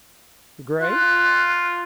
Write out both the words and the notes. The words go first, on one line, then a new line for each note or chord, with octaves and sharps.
"The grave?"
F4 F#6